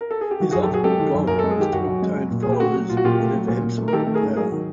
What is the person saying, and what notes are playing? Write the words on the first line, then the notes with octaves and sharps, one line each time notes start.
His ultimate goal is to obtain followers and have absolute power.
A#4
A4
G#4
G4
D#3 F#4
F#2 F#4 G#4
G4 A4
F#2 F#4 G#4
G#3 G4 A4
D#3
F#2
F#2 A#4
G#3 A4
G#4
D#3 G4
F#2 F#4
F#2
G#3
F#3
A#2
A#2 G#4
G4
A3 F#4
F#3
A#2 F4
F#4
A#2 F4 G4
A3
F#3
A#2
A#2
A3
A#4
D#3 G4 A4
A3
G#4 A#4
G#2
F#3 G#4 A#4
D#3